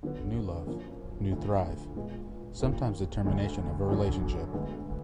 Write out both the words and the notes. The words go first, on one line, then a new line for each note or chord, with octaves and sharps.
New love, new thrive; sometimes determination of a relationship.
D3 F#3 B3
F#2 F3 A#3 D4
D2 D3 F3
A#2 G#3 B3
D#2 D#3 A#3 F4
D2 D3 G#3
F#2 D3 F#3 D4
D2 D3 G#3 B3